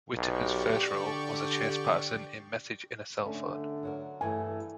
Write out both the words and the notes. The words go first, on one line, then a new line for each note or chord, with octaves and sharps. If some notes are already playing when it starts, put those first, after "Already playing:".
Whitaker's first role was a Chase Patterson in "Message in a Cell Phone".
B1 G4 D5 C#6
D3
D3 A3 C#4
F#3 F#4 A#4
G2 E3 A3 A4 G#5